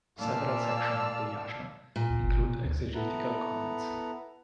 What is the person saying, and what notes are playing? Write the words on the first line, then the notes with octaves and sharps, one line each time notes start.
Several sections of the "Yasna" include exegetical comments.
A#2 D5 F5 A5 E6 F6
A#2
C#2
G1
B2
D2
B3 E4 A4 B4 A#5